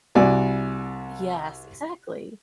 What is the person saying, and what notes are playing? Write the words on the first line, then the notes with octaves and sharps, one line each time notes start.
Yes, exactly.
C2 F#4 D5 G#5